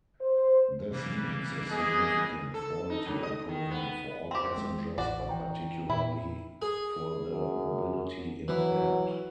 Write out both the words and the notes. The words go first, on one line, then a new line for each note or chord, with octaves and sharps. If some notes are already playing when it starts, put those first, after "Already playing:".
This means a significant quality improvement for all passengers but particularly for the mobility-impaired.
C5
C3 E3 G3 A#3
B3 G#4 D#5
A4
D#4
F#2
D#5
D#3
B3
C4 G4
G#3
A1 F#4 D5
E3 G5 A#5
A#2 E4
G#4
F#2
E3 F#3